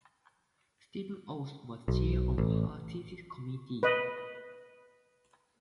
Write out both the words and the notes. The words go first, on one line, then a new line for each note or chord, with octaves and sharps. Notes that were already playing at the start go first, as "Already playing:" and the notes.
Steven Aust was chair of her thesis committee.
B1
A1
B4 D#5